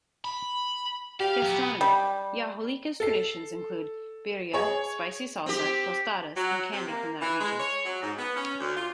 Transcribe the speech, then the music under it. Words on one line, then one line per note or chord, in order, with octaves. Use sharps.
Gastronomy: Yahualica's traditions include "birria", spicy salsa, "tostadas", and candy from that region.
B5
G4 F5
F#3 B3
G3
A4 C7
G#4 C#5
C4 G4
F#3
C3
A#3
E3
G#3
C#5
F#3
G#2
B3
C#4
D2
F4